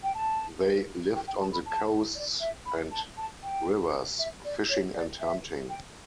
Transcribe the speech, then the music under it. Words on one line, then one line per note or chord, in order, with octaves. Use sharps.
They lived on the coasts and rivers, fishing and hunting.
G5
A5
G5
G5
A5
B5
A5
D5
E5
B5
A5
A5
G5
E5
D5
C#5
D5
E5
G5